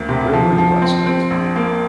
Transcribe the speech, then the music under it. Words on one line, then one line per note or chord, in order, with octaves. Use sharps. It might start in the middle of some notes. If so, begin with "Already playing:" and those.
Where were you last night?
Already playing: D2 A#3
C3
F3
F3
C4
C4
A#1
A#3